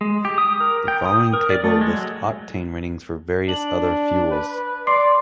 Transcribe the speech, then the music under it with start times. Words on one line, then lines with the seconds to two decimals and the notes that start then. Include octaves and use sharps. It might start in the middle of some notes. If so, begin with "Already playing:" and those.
The following table lists octane ratings for various other fuels.
0.01 G#3
0.25 G4
0.38 D#6
0.60 A#4
0.88 G5
1.05 D#6
1.33 A#4
1.50 D5
1.64 A3
1.81 G#3
1.93 F#3
3.49 D4 F#7
4.31 B4
4.87 D5 C6 D6 C7